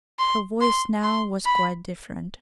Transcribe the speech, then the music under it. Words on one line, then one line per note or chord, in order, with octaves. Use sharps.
Her voice now was quite different.
C6
C6
C6
B5